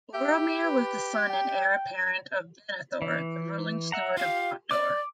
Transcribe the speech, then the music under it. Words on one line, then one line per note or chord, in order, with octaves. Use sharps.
Boromir was the son and heir apparent of Denethor, the ruling Steward of Gondor.
G4 E5
B4
G5
E3
E5 F#5 A#5
F4 G4 F5
D5 D6